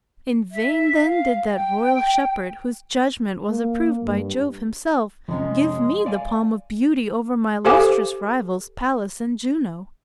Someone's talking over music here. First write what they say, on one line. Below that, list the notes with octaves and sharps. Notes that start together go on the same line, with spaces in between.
In vain then did that royal shepherd, whose judgment was approved by Jove himself, give me the palm of beauty over my illustrious rivals, Pallas and Juno.
E5
F5
G5
A#3
G2
F2 C3 G#3 C#4 D#5
D5 F5 G#5
G4 A4 C5 F5 G#5 D6